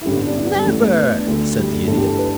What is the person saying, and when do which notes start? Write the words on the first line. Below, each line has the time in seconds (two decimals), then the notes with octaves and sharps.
"Never," said the Idiot.
0.01 E4
0.06 A1 G2 D3 G4
0.16 B3
0.26 D4
0.36 E4
0.46 B3
0.56 G3
0.66 A1 A2 E3 A3
0.82 B3
0.97 B4
1.17 D4
1.26 D2 D3 A3
1.57 G3
1.72 A3
1.88 G1 G2 E3 A4
1.97 G4
2.08 A4
2.18 B4